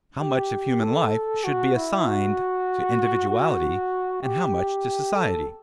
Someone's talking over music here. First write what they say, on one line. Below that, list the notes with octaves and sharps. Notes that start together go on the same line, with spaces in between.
How much of human life should be assigned to individuality, and how much to society?
G4
A4
F#4
E4
F#4
F#4
G4
A4